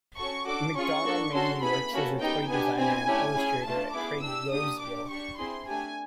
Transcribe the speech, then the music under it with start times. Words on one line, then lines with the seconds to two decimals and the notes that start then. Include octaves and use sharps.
McDonnell mainly works as a toy designer and illustrator at Craig Yoe's Yoe!
0.18 C#4 F#4 A4 C#6
0.47 D4 F#4 A4 D6
0.76 C#4 F4 G#4 C#6
1.05 A#3 D4 F#4 A4
1.34 C#4 F#4 A4 C6
1.62 B3 E4 G#4 B5
1.92 A#3 C#4 F#4 A4
2.20 B3 D#4 G4 G5
2.49 B3 D4 G4 G#5
2.78 C4 E4 G4 G#5
3.07 A3 C#4 E4 G4
3.36 C#4 E4 G#4
3.65 A3 D4 F4 A5
3.94 B3 E4 G#4 D6
4.22 D4 G4 E6
4.52 A#3 D4 G4 D#6
4.80 D4 G4 D6
5.10 D4 G4 C#6
5.38 C4 E4 G#4 C6
5.67 A3 D4 G4 G#5